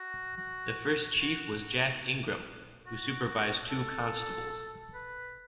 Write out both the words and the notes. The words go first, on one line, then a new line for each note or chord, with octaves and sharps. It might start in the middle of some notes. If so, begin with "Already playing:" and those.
The first chief was Jack Ingram, who supervised two constables.
Already playing: F#4
F#4
F#4
F#4
A4
B4